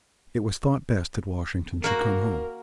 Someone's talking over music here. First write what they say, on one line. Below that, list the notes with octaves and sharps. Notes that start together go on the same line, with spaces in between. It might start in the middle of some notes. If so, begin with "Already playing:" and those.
It was thought best that Washington should come home.
A#3 F#4 A#4